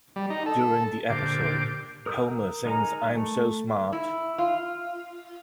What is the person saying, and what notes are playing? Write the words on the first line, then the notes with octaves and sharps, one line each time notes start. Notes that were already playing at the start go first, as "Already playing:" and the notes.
During the episode, Homer sings I am so smart!
G3
D#4
A4
A#2 D3 G4 C5 D6
A#4 D#6 E6 G6
G#3 D#4 A#4 G#5 A#5
A3
E4
F4